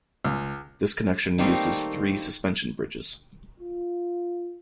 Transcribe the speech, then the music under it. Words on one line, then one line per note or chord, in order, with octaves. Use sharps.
This connection uses three suspension bridges.
C#2
D#3 G3 A3 A#3 C4 D#4
F4